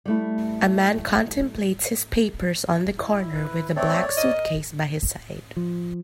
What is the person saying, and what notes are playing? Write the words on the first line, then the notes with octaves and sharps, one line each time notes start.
A man contemplates his papers on the corner with a black suitcase by his side.
G3 A3 E4
E4
B4
A3 C4 A4 C#5 D5
A#4 D#5
F3